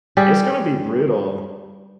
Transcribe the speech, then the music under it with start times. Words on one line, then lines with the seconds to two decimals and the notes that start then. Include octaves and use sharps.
It's gonna be brutal.
0.17 G3 G4 G#4